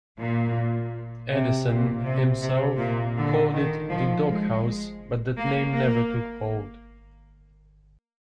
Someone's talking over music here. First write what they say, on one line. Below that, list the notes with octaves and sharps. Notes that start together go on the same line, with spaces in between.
Edison himself called it "The Doghouse", but that name never took hold.
A#2
C3
A#2
C3
C3
A#2
D3
D#3
F3
G#3
A#3
A#3